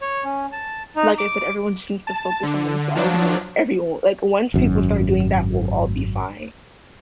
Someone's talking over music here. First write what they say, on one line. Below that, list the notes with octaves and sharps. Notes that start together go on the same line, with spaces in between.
like I said, everyone seems to focus on themselves and then everyo like, once people start doing that, we'll all be fine
C#5
C#4
A5
D#4
D6
A5
D3
F3 F#3 D4
G#1 F#2